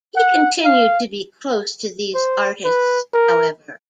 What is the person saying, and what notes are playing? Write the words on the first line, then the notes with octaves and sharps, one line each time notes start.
He continued to be close to these artists, however.
F#5
F5
C5
B4
A#4